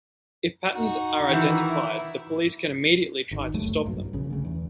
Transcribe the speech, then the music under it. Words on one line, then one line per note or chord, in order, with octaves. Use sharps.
If patterns are identified the police can immediately try to stop them.
D#4 F#4
D#3 E3
E4
G#1 D#3
C#2 F#2 G3 A3
B1 G2 A#2 F#3
A#1 C#3
D2 C#3
E2